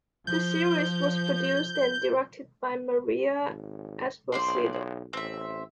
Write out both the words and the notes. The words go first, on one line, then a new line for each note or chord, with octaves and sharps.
The series was produced and directed by Maria Esposito.
F3 G6
G#1
B1 C5 D5 C6
A1 C4 E5